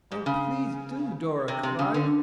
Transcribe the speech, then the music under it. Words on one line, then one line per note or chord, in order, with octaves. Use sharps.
"Oh, please do," Dora cried.
G#2
C#3
C3
C3
C#3
D3